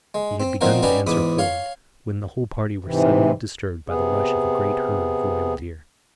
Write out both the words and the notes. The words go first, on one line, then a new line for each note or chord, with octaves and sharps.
He had begun to answer Ford, when the whole party were suddenly disturbed by the rush of a great herd of Royal deer.
G#3
C4
A#2 F3 C4 D#4 F#4 A#4
C#4 D#4 F#4 G4 B4 D5
E2 G#2 B5 D6 D#6
C#5 F5 C6
G#2 C3 E3
C3 B3 G#4